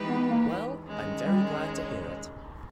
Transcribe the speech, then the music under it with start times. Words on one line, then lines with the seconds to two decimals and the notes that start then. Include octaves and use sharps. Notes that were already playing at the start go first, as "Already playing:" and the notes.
Well, I'm very glad to hear it.
Already playing: E3 G#3 D#4 G4 B4
0.08 B3
0.28 A#3
0.86 D#3 G#3 C#4
1.25 G3